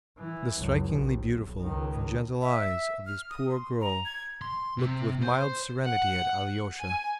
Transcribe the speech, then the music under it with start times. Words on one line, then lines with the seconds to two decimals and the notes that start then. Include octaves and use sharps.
The strikingly beautiful and gentle eyes of this poor girl looked with mild serenity at Alyosha.
0.18 E3
0.58 F#1 C#2
0.91 A#1 D#2
1.24 B1
1.60 C#2 D#3
2.42 E5
3.07 F6
3.30 D#6
3.51 C6
3.81 A#5
4.05 G#6
4.42 C6
4.78 C3
5.22 C5
5.86 F#5
6.81 G#5